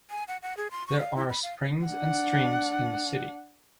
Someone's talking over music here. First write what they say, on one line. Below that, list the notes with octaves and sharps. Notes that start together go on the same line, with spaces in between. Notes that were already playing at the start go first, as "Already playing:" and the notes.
There are springs and streams in the city.
G#5
F#5
F#5
G#4
C6
C#6
F5
E4
B5
F5
D4 F#5